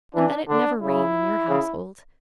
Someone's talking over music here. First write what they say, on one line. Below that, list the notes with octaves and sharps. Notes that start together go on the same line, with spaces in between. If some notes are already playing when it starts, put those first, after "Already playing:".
And let it never rain in your household.
E3 D4
D3 D4
C#3 E4
C#3